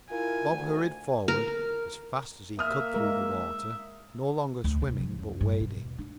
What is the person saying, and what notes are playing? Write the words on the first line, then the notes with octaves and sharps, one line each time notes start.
Bob hurried forward as fast as he could through the water, no longer swimming, but wading.
E4 F4 A#4 G#5
D2
A#4
A#3 E5 D#6 F6
G#3 A#4
D2
C3
F3
F#2
G2
B2
D4